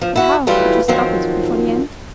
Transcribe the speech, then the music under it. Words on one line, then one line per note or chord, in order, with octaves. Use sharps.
But how could she stop it before the end?
F3
E4 F#4
E3 F#3 G3 A3 E4 F4
D#3 F3 F#3 C4